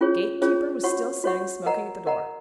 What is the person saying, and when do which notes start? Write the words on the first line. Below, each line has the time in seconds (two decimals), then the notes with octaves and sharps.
The gatekeeper was still sitting smoking at the door.
0.01 C#4 F4 G#4 C#5
0.42 C#4 F4 G#4 C#5
0.83 F#4 C#5 F#5 C#6
1.24 F#4 C#5 F#5 C#6
1.66 A#4 D#5 F#5 A#5
2.07 A#4 D#5 F#5 A#5